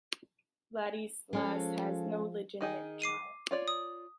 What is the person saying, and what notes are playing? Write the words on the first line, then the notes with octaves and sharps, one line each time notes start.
Vladislas has no legitimate child.
F3 G#3 C#4 A4
D#3 D#4 G#4
D6 C7 D#7
F4 C#5 D5
D#6